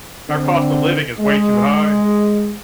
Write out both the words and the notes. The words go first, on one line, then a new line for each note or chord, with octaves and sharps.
our cost of living is way too high,
D3 C4
G#3